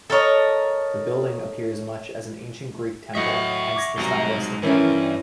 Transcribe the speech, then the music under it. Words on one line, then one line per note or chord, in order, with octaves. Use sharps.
The building appears much as an ancient Greek temple, hence the stylistic name.
A4 A#4 C#5 D#5
A2 F#3 D#5 E5 F#5 C#6
D6 G#6 A#6
C2 G#2 B2 F#3 A#5
G2 E3 C#4 E4 A#4 B4